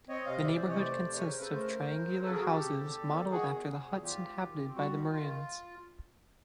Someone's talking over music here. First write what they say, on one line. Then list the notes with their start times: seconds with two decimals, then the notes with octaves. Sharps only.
The neighbourhood consists of triangular houses modelled after the huts inhabited by the Maroons.
0.08 C4 C#5 D#5
0.26 C3 D#5 F5
0.44 E3 D5 E5
0.56 C5 D5
0.62 C3
0.68 C#5 D#5
0.80 A3 C5 D5
0.98 C3
1.16 C#3 B4 C#5
1.28 A#4 C5
1.33 C#3
1.40 A4 B4
1.52 A3 A#4 C5
1.70 C#3
1.88 C#3
2.06 F#3
2.23 C#3 A4 B4
2.33 G#4 A#4
2.41 C#3 F#4
2.50 G4 A4
2.59 C3
2.77 E2
2.95 E2
3.13 D#3
3.31 D#3 F#4 G#4
3.49 E2
3.66 C3
3.85 E2
4.02 G#2 F4 G4
4.21 G#2
4.38 D#3
4.56 C4
4.75 G3 F#4
4.92 D#3
5.10 D#3 F4